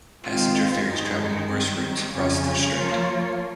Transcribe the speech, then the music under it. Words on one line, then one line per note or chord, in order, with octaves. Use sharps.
Passenger ferries travel numerous routes across the strait.
D#3 G#3 C4 F4
G2 D#3 G#3 D#4 G#4
D#3 G3 C4
F2 C#3 G3 C#4 F4
F3 A#3 F4 A#4 C#5